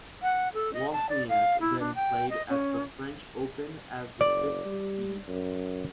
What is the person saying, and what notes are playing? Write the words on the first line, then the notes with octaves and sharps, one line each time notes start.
Wozniacki then played at the French Open as the fifth seed.
F#5
A4
D#5
A5
D5
F5
E4
D4
G5
D#5
C#4
F#1 D5
G3
F#2